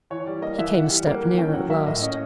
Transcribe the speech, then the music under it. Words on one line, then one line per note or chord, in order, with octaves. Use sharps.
He came a step nearer at last.
E3 C#5
G3 D5
A#3 D#5
E3 E5
E3 F#5
G3
A#3
E3
C#4 G5
F#3 F#5
A#3 E5
A2 D#5
C#4 D#5